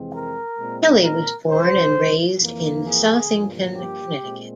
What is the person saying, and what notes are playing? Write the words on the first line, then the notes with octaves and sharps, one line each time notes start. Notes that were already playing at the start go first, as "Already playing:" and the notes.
Kelly was born and raised in Southington, Connecticut.
Already playing: F2 C3 E3 G#3 C4
A#4
A#2 G#3 C4
A#4
C#2 C#3 E3 C5
F2 E3 A#3
G#4
G2 F3 A#3
G4
A#2 G#3 C4